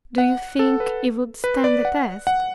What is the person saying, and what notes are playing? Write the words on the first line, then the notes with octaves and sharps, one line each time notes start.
"Do you think he would stand the test?"
F#5
A4
B4
B4
D5
F#5
F#5